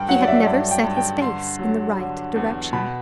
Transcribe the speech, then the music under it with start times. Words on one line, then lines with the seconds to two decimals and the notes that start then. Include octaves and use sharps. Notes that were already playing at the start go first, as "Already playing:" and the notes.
He had never set his face in the right direction.
Already playing: G2 G5
0.08 F#3 F#5
0.22 D5
0.27 E5
0.46 G2
0.71 G5
0.84 G2
0.97 G5
1.22 D3 C6
1.59 F#3
1.98 D3
2.36 E2
2.73 B2 B5